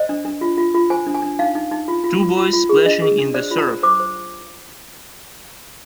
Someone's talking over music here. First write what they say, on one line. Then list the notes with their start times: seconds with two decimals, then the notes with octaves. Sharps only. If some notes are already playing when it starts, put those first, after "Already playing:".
Two boys splashing in the surf.
Already playing: C5 D#5
0.09 D4
0.25 D4
0.41 F4
0.58 F4
0.74 F4
0.90 C5 G#5
1.07 D4
1.14 G#5
1.22 D4
1.39 D#4 F5
1.55 D#4
1.71 D#4
1.88 F4
2.04 F4
2.20 F4
2.37 F4
2.53 F4
2.69 G#4
2.86 D4 D#5
3.02 G#4
3.18 D4
3.34 C5 D5
3.51 F4
3.59 A#5
3.67 C5
3.83 C5 D6
4.00 C5